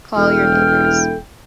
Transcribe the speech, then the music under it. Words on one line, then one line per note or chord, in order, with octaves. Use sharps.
Call your neighbors!
E1 B2 E4 A4 G5 F6